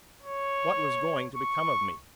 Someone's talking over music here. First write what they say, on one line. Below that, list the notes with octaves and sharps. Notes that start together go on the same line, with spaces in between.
What was going to become of me?
C#5
C#6